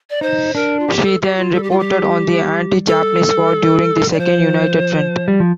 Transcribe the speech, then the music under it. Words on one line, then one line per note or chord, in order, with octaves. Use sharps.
She then reported on the Anti-Japanese war during the Second United Front.
D5
D#4 C5
D4 A#4
F4
G4
A4
G4
F4
G3 A4
G4
F4
G4
A4
D5
F3 C5
G3
F3